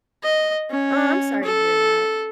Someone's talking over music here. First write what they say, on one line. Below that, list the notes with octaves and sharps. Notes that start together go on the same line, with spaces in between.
Oh, I'm sorry to hear that.
D#5
C#4
A4